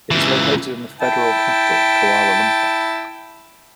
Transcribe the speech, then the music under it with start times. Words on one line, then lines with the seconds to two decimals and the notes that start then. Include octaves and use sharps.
It is located in the Federal capital, Kuala Lumpur.
0.11 C#2 E3
1.01 E4 G5 A5